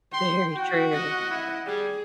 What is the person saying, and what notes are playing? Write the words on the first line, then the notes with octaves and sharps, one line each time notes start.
Very true.
G5 C6
F#4
D#5 F#5
E4
G3 G#4